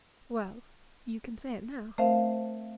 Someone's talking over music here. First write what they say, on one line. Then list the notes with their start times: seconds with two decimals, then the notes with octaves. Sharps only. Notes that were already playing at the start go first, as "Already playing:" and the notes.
"Well;--you can say it now."
1.98 A3 C4 A#4 C5 E5 F5